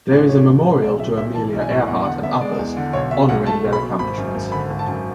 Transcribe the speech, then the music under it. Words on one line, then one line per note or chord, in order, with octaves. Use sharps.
There is a memorial to Amelia Earhart and others, honoring their accomplishments.
A1
F#3 C#5
A1
G#2
B1 D5
A2 E5
B1 E5
E3 A5
B1
G#5
A2
E2 F#5
D3 F#5
B3 E5
G#3 D5
E2
D3
B1 C#5
B2 E5
B1 F#5
A3 A5
B1
B5
B2
G#1 B5
F#2
G#1
D3 B5
G#1
A5
F#2